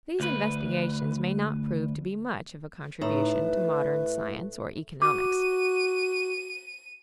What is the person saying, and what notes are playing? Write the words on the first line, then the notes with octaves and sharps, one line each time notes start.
These investigations may not prove to be much of a contribution to modern science or economics.
D2 B4
A2 D#4 B4 E5 A#5
E5
F#4 D6 D#7